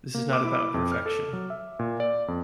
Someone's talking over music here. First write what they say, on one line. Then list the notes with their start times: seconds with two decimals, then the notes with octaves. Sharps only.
This is not about perfection.
0.14 A#3
0.33 D6
0.45 E4
0.74 F2
0.92 F6
1.06 A4
1.33 F#3
1.50 E5
1.79 A#2
2.00 D5
2.28 F2